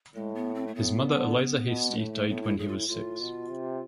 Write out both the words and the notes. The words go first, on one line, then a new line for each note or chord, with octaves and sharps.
His mother Eliza Hastie died when he was six.
A2 G#3
B3
C4
A3
A2 B3
D3
B2
G#3
A2 A3
A3
A2 B3
E4
A2 G#4
F4
E4
A2 F4
B2
C3